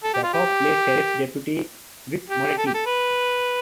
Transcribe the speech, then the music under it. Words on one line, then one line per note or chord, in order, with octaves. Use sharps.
Sackhoff plays Sheriff's Deputy Vic Moretti.
A4
G4
F4
G4
G4
A4
G4
A4
B4